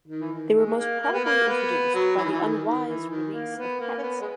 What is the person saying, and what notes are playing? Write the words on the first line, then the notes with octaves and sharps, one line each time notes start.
They were most probably introduced by the unwise release of pets.
D#3
E3
D#3
G#3
A#3
A#3
B3
A#3
B3
F#3
E3
D#3
E3
D#3
D#3
E3
D#3
A#3
B3
A#3
C#4
B3
G#3